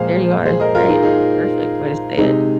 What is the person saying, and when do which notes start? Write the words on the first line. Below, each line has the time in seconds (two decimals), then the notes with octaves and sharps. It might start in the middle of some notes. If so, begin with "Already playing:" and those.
There you are, right, perfect way to say it.
Already playing: A#2 F3 G#3 C5 F5
0.45 G#4 C5
0.60 A#4 D#5
0.75 F4 A#4
0.88 D#4 G#4
1.03 D#4 G#4
2.17 C3 G#3 D#4